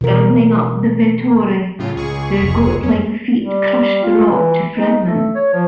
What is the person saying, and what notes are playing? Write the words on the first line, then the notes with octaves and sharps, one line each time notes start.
Scrambling up the Vettore, their goatlike feet crushed the rock to fragments.
B2 E3 A#4
A2 C#3 F4
C#2 G#4 C#6
F1 G2
F#2 F#3 C#4
G3
F4
E3
D#4
A3
C#5
F3